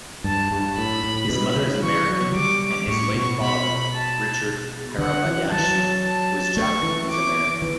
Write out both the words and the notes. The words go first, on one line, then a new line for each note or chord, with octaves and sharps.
His mother is American and his late father, Richard Hirabayashi, was Japanese American.
G2 A5
G2
A2 B5
A2
B2
C#3
E3 C#6
F#3
F#3
G3 D6
A2 C#6
B2
B2 B5
A5
D3 F#5
E3
F#3 A5
E3
F#3
A5
A3 C#6
E3
D6
E3